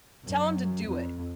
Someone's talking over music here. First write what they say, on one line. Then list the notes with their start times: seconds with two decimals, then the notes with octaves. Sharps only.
"Tell them to do it."
0.24 F#2
0.87 F2